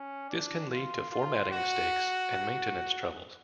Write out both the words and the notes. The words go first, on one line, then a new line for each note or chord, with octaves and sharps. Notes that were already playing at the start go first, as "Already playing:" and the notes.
This can lead to formatting mistakes and maintenance troubles.
Already playing: C#4
D4
F4
F4
F#4